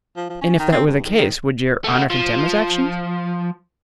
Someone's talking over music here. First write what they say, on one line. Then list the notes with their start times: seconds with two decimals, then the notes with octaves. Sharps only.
"And if that were the case would your honor condemn his action?"
0.17 F3
0.30 F3
0.41 C#4
0.59 D#3
0.72 C4
0.87 G2
1.05 D#3
1.18 D#3
1.84 A3 F#4
2.10 F3